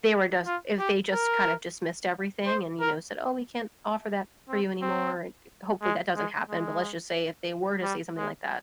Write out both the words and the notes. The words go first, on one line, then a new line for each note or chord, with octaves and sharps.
they were dust if they just kind of dismissed everything and, you know, said, "Oh, we can't offer that for you anymore. Hopefully, that doesn't happen. But let's just say if they were to say something like that,
F4
G4
A#4
C5
A#4
C4
C4
G#3
G#3
G#3
G3
G#3